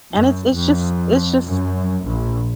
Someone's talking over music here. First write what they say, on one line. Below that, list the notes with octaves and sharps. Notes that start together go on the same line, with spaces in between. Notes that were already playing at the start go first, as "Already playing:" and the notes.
and it's just it's just
F#2
F2
F#2
A#1